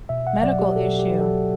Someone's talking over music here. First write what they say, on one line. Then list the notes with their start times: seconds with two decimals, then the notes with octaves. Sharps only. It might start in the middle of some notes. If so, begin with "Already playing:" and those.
medical issue.
0.09 B2 E5
0.27 F#5
0.42 F#3 D5
0.59 G4
0.76 B2 A4
0.99 G4
1.10 F#3
1.21 A4